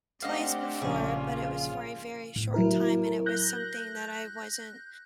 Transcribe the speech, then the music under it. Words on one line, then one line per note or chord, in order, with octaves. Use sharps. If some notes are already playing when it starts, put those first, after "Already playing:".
twice before, but it was for a very short time, and it was something that I wasn't
A3 C4 D4 G4 D#5 F5 F#5
A#1 C#3 F4 G#4
A2
F#3 E4 A#4
F#6 G6 A#6